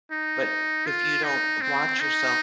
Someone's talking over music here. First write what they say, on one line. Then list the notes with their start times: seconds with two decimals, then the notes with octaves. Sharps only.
But if you don't watch yourself,
0.11 D#4
0.86 F4
1.24 D#4
1.61 C4
2.00 D#4